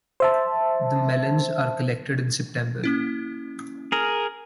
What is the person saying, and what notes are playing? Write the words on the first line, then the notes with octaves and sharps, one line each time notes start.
The melons are collected in September.
C5 E5 A5
A#3 C#4 E4
G#4 A#4